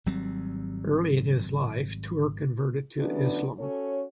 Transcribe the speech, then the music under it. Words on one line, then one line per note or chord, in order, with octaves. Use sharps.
Early in his life, Ture converted to Islam.
G#1 F#3 G3 C4
D3 E3 F#3 B3 C#4 D4
C#4 F#4 A4 C#5